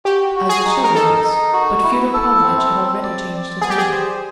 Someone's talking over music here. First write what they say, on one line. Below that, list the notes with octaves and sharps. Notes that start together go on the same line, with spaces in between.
Alyosha rose, but Fyodor Pavlovitch had already changed his mind.
F#4 G4
F#4
G#4
D#4
A#4
D#4 A4
D#4
F#4
E4
A4
C4
C4
D5
D5
B3 G#4
G4
G#4
C5